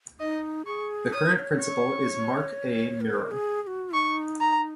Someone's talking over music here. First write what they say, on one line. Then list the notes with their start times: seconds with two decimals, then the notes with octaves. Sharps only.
The current principal is Mark A. Murrell.
0.20 D#4 D#5
0.66 G#4 C#6
1.13 C#5 D#6
1.26 A#4
1.39 C#5
1.60 C#6
3.01 A#4
3.31 G#4
3.63 G#4
3.67 F#4
3.94 D#4 C#6
4.41 A#5